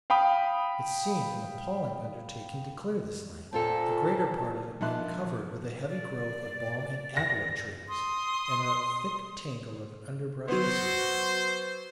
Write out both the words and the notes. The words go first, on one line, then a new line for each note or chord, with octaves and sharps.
It seemed an appalling undertaking to clear this land, the greater part of it being covered with a heavy growth of balm and alder trees and a thick tangle of underbrush besides.
F5 G5 B5 D#6
A#2 C4 F4 A4 A5
A#1 D#4 E5 A5 C6 F#6
D5
A#6
C6 D#6
F#3 B3 F#4 C5 C6